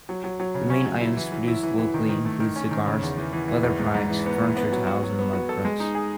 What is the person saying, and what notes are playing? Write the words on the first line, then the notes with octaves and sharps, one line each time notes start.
The main items produced locally include cigars, leather products, furniture, tiles and mud bricks.
F#3
F#3
F#3
C#3
C#4
F#3
E4
E3
E3
E4
E3
E3
D#3
D#3
A3
D#3
C#4
D#3
C#3
E2
E3
E3
E3
E2
G#2
G#2
E3
B3
E3
B3
F#3
F#4
F#3
B3
F#4
A4
G#3
D#4
G#4